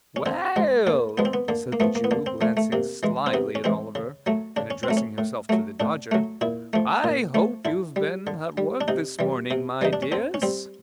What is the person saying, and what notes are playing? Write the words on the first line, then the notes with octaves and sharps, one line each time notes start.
'Well,' said the Jew, glancing slyly at Oliver, and addressing himself to the Dodger, 'I hope you've been at work this morning, my dears?'
C#4
D3 C4
F3 G#3
D3 A#3
F3 G#3 B3
C4
B3
D3 A#3
A#3
F3 A3 B3
A#3
B3
D3 A#3
C4
F3 A3
A3
C3 A#3
E3 G#3
C4
C3 B3
C#4
E3 G#3 C4
C#3
F#3 A3
C#3 D4
C#4
C4
F#3 A3
C#4
A2
F#3 A3
A2 D4
F#3 A3
A#2 E4
F3 A3
A#2
F3 A3
D3 E4
G3
D3
G3
D4
C3 D#4
E3 G3
C3
E3 G3 D#4
D4
C#4
D3 C4
C#4
G3 C4